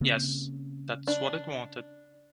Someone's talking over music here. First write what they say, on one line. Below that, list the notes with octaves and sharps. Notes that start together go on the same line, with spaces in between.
Yes, that's what it wanted.
C#3 A#3 C4
D4